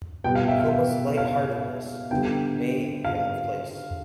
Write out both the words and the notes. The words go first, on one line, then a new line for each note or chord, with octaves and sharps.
Kuma's light heartedness may be out of place.
B2 G3 B3 G5
F5
E5
F5
F5
D3 G3 B3 G5
F5